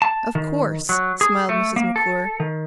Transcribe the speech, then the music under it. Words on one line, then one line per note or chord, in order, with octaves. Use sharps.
"Of course," smiled Mrs. McClure.
A5
D#3
F#3
G#4
A3
A#3
A4
D#3